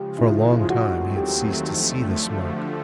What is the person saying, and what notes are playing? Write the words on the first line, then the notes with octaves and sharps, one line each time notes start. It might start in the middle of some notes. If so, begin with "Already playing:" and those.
For a long time he had ceased to see the smoke.
Already playing: C#3 F3 G#3 G4
E4
F4
F4
D#2 D#3 F#3 A3 C4 F#4
G4
D3 F3 A3